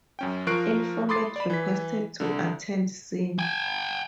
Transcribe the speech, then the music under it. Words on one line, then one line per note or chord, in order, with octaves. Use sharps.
Informant requested to attend scene.
F#2 C#4 G5
F3 A#4 C#6 F#6 C7 D7
B5 C6 D6 D#6 A6 C7
D5 B5
E3 B6
C2 D3
G5 G#5